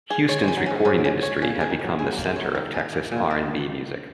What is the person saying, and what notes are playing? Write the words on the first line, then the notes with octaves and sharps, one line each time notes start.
Houston's recording industry had become the center of Texas R and B music.
G#4
G#3 C#5
G#3 C#4
F#3
G#2 C#4
G#2 C#4
C#4
C#5
A#2 G#4
C#3
G#4
D#3
F#3 G#4
G#3 G#4
F#3 A#3
G#3
C#5
F#3
D#3 A#3
G#4
A#3
A#2 G#4
A#3